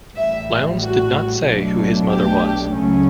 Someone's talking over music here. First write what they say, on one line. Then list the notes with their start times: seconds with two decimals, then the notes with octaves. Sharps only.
Lowndes did not say who his mother was.
0.16 A1 A2 E3 G3 E5
0.81 F#4
1.46 B1 B2 F#3 A3 D4
2.12 G4
2.77 C#2 C#3 F#3 A3 C#4